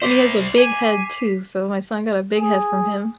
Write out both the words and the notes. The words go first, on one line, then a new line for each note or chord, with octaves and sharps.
and he has a big head too, so my son got a big head from him.
C5 D5 D6 B6 C7
G#5
G#4